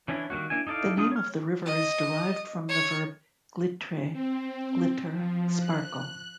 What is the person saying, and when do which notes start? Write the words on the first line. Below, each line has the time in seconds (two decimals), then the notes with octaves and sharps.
The name of the river is derived from the verb "glitre" 'glitter, sparkle'.
0.08 E3 C#4 D4 E4
0.30 D#3 G3 A#3 F#4
0.50 A#3 D4 E4 G#5
0.67 D#4 E4 A4 D5 F5
0.97 D3 D4 D#4 F4 D#6
1.12 C#5 F6
1.65 D#5
2.69 C#5
4.13 C4
5.12 F3
5.60 F#6